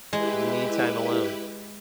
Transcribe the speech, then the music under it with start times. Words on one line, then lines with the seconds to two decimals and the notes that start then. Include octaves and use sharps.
You need time alone.
0.13 G#3 E4 G4 B4